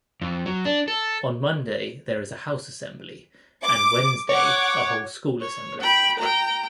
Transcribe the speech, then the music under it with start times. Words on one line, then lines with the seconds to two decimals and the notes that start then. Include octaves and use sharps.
On Monday there is a house assembly and Wednesday a whole school assembly.
0.22 F2
0.46 F#3
0.65 D4
0.88 A4
3.63 D6
4.29 C#5 F#5 D6
5.40 C#5
5.81 G5 B5
6.18 G5 A#5